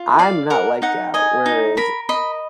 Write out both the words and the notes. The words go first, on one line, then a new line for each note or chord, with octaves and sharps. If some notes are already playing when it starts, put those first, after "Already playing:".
I'm not like that. Whereas,
Already playing: F4
D5 F5
A#4 F#5
D#4 F#5
D#5 G#5
D#4
A#4 B5
D#5 B5